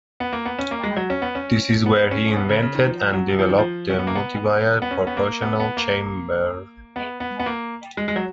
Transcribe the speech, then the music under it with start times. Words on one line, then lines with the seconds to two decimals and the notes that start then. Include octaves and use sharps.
This is where he invented, and developed, the multiwire proportional chamber.
0.20 B3
0.33 A#3
0.46 B3
0.59 C#4
0.71 A#3
0.84 G#3
0.97 F#3
1.10 C#4
1.22 B3
1.35 C#4
1.86 B3
2.11 C#4
2.36 B3
2.49 C#3
2.62 C#3
2.75 D#3
2.87 F3
3.13 F#3
3.39 F3
3.49 D#3
3.58 F3
3.89 C#4
3.99 B3
4.07 A#3
4.15 B3
4.82 B3
4.91 C#4
5.07 B3
5.17 A#3
5.42 B3
5.60 B3
5.77 A#3
6.96 B3
7.20 B3
7.39 B3
7.46 A#3
7.97 G#3
8.08 G#3
8.16 F#3